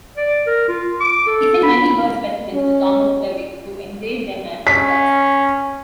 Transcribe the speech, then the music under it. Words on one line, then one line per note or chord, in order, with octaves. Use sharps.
He sent many bird specimens to Thomas Bewick who engraved them as woodcuts.
D5
A#4
F4
D6
A4
B5
C#4
C#4 B6